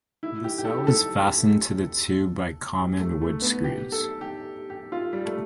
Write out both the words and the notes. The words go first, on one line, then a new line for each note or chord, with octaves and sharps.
The cell is fastened to the tube by common wood-screws.
E4
G4
G4
A4
G4
A4
G4
A3
A3
B3
G4
A4
G4
G4
F4
G3
A3